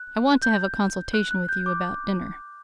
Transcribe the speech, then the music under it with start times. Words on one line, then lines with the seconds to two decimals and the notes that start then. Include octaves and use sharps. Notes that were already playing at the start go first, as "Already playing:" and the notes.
I want to have a consultation with you about dinner.'
Already playing: F#6
0.42 G6
1.14 F#6
1.31 F#6
1.49 G6
1.66 D6